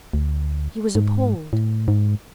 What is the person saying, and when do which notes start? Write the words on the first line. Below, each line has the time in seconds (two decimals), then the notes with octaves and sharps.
He was appalled.
0.13 D2
0.95 G#2
1.53 A2
1.88 G#2